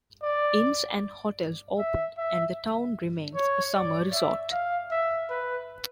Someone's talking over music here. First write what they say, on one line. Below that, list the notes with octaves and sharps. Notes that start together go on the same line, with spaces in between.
Inns and hotels opened, and the town remains a summer resort.
D5
E5
E5
C#5
D5
E5
F5
E5
B4